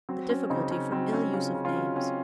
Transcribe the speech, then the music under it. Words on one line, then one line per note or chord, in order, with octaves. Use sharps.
The Difficulty from ill Use of Names.
F#3 C4
C4 C#4
C#3 C4 D#4
C#3 C#4
F#3 C4
C4 C#4
C#3 C#4 F4
C#3
C#4 F4
F#3
C4 C#4